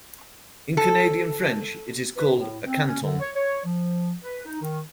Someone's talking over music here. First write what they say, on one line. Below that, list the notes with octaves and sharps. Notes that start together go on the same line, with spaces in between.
In Canadian French, it is called a "canton".
A4
B4
A2
C4
C#4
D3
C#5
C#5
F3
B4
D#4
D#3